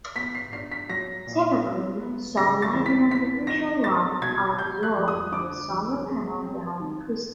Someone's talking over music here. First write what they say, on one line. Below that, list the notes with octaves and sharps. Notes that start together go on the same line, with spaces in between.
Typically, sunlight and artificial light are absorbed by a solar panel behind the crystal.
B3 B6
C7
D4 C7
B6
F#3 A#6
A#2
F#3
B3
C#3 A#6
A6
E2
B6
B3 B6
D#4 A#6
F#3 A6
B2 G#6
G3 G6
F#6
F2
D#6
D3 D6
F2
G#3
C4
D#3